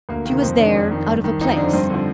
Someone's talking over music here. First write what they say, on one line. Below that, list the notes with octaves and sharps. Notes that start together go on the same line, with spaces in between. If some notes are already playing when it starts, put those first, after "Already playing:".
She was there, out of a place.
D2 A#3
C3 D#3 A#3
F2 C4
D#3 D4
F2
D#3
G2
D#3
F2 D#4
D3 F3 D4
G2 C4
D3 F3